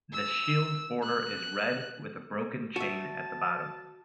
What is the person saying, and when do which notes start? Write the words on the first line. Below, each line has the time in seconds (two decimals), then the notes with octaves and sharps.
The shield's border is red with a broken chain at the bottom.
0.13 E6
1.03 F#6
2.76 F#4 E5 A5